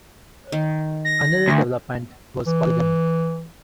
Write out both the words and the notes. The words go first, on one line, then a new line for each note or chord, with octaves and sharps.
Another development was polygamy.
D#3
A#6
D2
E3